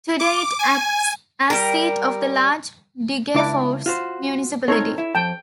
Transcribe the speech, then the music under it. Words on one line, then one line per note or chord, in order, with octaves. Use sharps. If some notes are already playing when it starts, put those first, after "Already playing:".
Today it acts as seat of the larger Degerfors Municipality.
D6
G#5
G3 A#4
C#2 D4 E4 D6
F4 F#4 C5
C4 D#4 A4 A#4 C#5
E4
F2 G5 A5